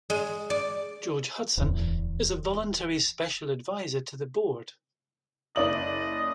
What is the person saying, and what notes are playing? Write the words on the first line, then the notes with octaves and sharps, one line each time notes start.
George Hudson is a voluntary special advisor to the Board.
G#3
D5
D1 E2
F#1 D5 D#5 F#7